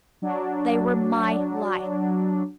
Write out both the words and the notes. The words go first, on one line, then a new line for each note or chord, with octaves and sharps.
They were my life.
F#3 D4